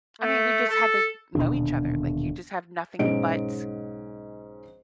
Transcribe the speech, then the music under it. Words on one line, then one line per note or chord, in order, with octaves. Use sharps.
I mean, we just had to know each other. Like, you just have nothing but
A3
A4
D#1 B2 D3 D4
B1 G#2 C#4 D#5 D7